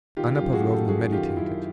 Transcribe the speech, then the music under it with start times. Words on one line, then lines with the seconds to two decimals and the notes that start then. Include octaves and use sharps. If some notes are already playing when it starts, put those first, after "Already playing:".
Anna Pavlovna meditated.
0.17 D#3 F4 G4
0.35 F4 G4
0.41 F#2
0.53 F#4 G#4
0.65 D#3
0.70 G4 A4
0.88 F#2 F#4 G#4
1.13 D#3 F4 G4
1.37 F#2 E4